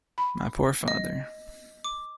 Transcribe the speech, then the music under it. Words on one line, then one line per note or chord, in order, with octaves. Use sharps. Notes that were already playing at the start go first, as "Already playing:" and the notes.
My poor father!
B5
D#5
D6